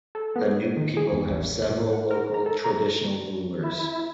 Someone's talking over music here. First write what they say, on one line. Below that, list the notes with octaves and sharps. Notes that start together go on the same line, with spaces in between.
The Nupe people have several local, traditional rulers.
A4
B3
D#3
G#4
E2
A1
A2
F#5
A#4
A#5
A4
A#5
E4